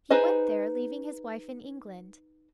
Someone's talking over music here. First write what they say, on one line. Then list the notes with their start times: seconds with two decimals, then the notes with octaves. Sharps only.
He went there, leaving his wife in England.
0.10 D#4 G#4 B4 C5 D#5